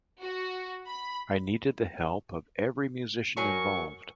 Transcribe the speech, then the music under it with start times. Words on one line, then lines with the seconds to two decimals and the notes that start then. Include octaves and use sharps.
I needed the help of every musician involved.
0.21 F#4
0.87 B5
3.37 F#3 A#4 G#5 C#6